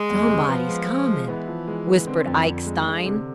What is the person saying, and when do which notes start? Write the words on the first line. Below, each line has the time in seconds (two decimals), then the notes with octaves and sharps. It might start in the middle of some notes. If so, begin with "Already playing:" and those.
"Somebody's comin'!" whispered Ike Stein.
Already playing: G#3
0.10 E2
0.29 C3
0.49 F3 B3
0.68 G#3
0.88 G#3
1.08 G#3
1.28 E3 B3
1.47 F3
1.68 G#3
1.87 B3
2.07 D3 C4
2.27 F2
2.46 F2
2.66 G#3
2.86 G#3
3.05 C3